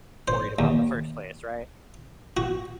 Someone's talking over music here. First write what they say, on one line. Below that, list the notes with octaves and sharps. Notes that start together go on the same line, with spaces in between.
worried about in the first place, right?
C5
D#2
F#4